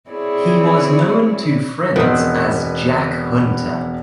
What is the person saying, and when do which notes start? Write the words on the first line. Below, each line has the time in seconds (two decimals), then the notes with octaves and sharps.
He was known to friends as Jack Hunter.
0.11 C4 E4 G#4 C#5 D5
1.96 E1 D#3 B3 C4 B4